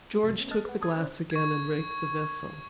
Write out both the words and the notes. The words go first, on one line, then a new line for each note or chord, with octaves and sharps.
George took the glass again and raked the vessel.
C2 F2 G#2 C3 F#3 A6
A3 B3 C#4
D#5 A5 F6 F#6 A6
B4 F#5
A4 A5 D#6 G#6
C#4 C5 D5
C#6 G#6